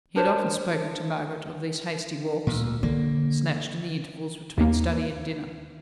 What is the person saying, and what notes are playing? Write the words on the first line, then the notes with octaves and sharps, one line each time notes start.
He had often spoken to Margaret of these hasty walks, snatched in the intervals between study and dinner.
D4 A#4 C5 C#5
D2 A#2
D3 A#3
D#2 A#3